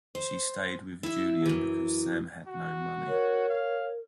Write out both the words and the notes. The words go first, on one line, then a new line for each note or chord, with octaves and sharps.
She stayed with Julian because Sam had no money.
C5
E4 E5
F#2 E3
F#4
A#4 C#5
F5